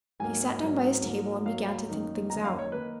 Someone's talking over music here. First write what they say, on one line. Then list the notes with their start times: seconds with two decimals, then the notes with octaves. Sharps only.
He sat down by his table and began to think things out.
0.20 G#2 F#3 A#3 G#5
0.62 G#2 F#3 A#3
1.03 G#2 F#3 A#3
1.45 G#2 F#3 A#3 F5
1.67 F5
1.89 F#2 D#3 A#3 D#4
2.30 F#2 D#3 A#3 D#4 A#5
2.44 F5
2.59 C#5
2.72 D#3 A#3 D#4 B4